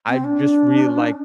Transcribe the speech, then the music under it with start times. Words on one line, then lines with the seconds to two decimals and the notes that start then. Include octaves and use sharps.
I just really like
0.09 C4
0.24 D4